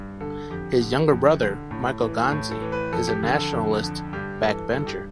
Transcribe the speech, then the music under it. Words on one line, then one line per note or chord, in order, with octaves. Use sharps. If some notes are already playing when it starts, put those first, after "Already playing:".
His younger brother, Michael Gonzi, is a Nationalist backbencher.
Already playing: G2
D3 A4
F2 G4
D3
F2
D3
A2
E3
A2
A4
E3
B4
F2 A4
G4
D3
A4
F2
D3
G2 G4
E3 A4
G2 A4
G4